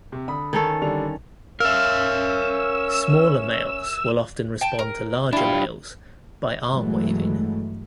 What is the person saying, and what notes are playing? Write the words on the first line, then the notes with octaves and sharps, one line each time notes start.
Smaller males will often respond to larger males by arm waving.
C3
D3 B5 D#6
D#3 C#4 A4
D3 G3 F7
C#4 A#4 E5 F5 E6
G5 A5
A#4
D4 E4 F4 G4
G2 E3 F#3 G#3 A3